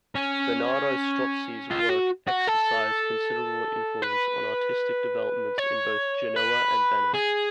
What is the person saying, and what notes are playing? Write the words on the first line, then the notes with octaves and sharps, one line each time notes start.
Bernardo Strozzi's work exercised considerable influence on artistic developments in both Genoa and Venice.
C#4
F4
F#4
F#4
A4
B4
C#5
B4
G#4